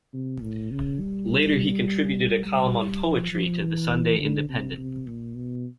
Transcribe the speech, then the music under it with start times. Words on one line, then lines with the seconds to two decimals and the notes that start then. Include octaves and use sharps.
Later he contributed a column on poetry to the "Sunday Independent".
0.13 C3
0.42 A2
0.71 C#3
1.00 G3
2.45 G3
3.04 F3
3.32 F3
3.61 E3
4.19 D3
4.49 C3
4.77 C3
5.07 A#2
5.35 B2